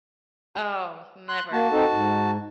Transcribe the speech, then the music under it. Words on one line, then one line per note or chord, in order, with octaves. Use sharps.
Oh, never.
C6 F#6
A#3 F#4 A5
C4 D#4 A4
G#2